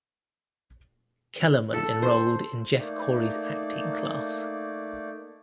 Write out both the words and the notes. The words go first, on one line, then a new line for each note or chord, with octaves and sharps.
Kellerman enrolled in Jeff Corey's acting class.
A4
C5
A3 A#3 D#4 D5